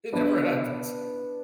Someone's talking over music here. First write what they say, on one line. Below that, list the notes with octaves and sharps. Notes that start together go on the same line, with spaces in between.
it never happens.
B3 D4